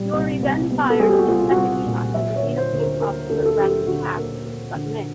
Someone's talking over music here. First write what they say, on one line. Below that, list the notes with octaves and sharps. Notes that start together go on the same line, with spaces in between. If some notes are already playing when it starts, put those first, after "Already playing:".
Yorie then fired a second shot at Medina police officer Bradley Kapp but missed.
Already playing: A#2 G3
C2
C2
B3
A4
G3 G#4
G4
F#4
C2 F4
F#4
C2
A#2
F#3 E5
C#5
D3
C5
D2
A#4
A#3 A#4
D2 A4
A#4
A4
F#3 G4
D3 F#4
A#3
A#3
D3